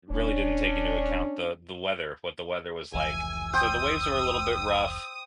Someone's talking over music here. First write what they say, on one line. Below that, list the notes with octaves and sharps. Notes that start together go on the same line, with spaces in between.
really didn't take into account the the weather, what the weather was like, so, the waves were a little bit rough
D#1 C#4 D4
F1 C#2 E3 G#5 E6
C5 G5 D#6